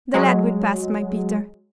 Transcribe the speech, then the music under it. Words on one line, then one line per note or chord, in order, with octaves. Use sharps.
'The lad will pass, my Peter.
F#3 G#3